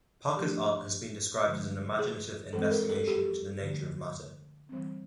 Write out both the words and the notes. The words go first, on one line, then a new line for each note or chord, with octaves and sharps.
Parker's art has been described as an imaginative investigation into the nature of matter.
F3 A3 D4 G4
D3 F3 G#3
G#4
E3 G#3 C4 A4
A#4
A4
G4
D3 F3 A3 C#4
E3 G3 C4